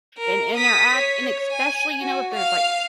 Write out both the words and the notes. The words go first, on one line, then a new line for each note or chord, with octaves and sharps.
and interact, and especially, you know, if there's like
A#4
D#6 B6
C#5
G#5
F#4
F5 C7